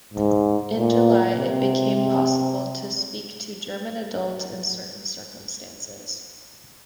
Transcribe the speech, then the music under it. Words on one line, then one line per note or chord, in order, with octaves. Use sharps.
In July, it became possible to speak to German adults in certain circumstances.
G#2
A#2
C3